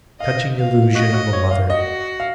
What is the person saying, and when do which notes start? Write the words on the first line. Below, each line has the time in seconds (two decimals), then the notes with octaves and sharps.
Touching illusion of a mother!
0.20 D#5 F5
0.57 F5
0.95 F#4 D#5
1.14 F#4
1.33 C#5
1.51 F5
1.70 F#4 D#5
2.20 F5